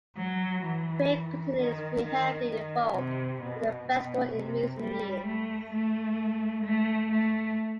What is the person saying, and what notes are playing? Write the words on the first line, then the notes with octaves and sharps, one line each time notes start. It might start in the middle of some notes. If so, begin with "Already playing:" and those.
Craig continues to be heavily involved with the festival in recent years.
F#3
E3
D#3
D#3
D#3
C3
B2
B2
C3
G3
A3
A3
A3
A3